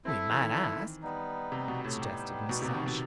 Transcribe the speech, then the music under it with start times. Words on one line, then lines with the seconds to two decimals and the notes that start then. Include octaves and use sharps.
"We might ask," suggested Mrs. Ashe.
0.05 C4 E4 A4 E5
0.30 E3
0.42 D#3
1.02 G3 B3 D#4
1.52 C3
1.68 B2
1.84 A2
2.00 G3 B3 D#4 G4
2.49 B2
2.62 C3
2.74 D#3
2.86 B2